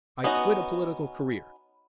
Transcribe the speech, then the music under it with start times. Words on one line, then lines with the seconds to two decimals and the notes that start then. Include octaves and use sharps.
I quit a political career.
0.24 B3 C#4 D#4 F#4